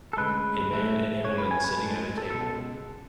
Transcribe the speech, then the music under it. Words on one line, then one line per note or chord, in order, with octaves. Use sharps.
A man and a woman sitting at a table.
A4
D2 C#3 G#3 B4
A2 E3 A3
C#2 C#3 G#3 C#5
B4
G#5
B4
A2 G#3 A4
A4
C#2 B2 G#3 A4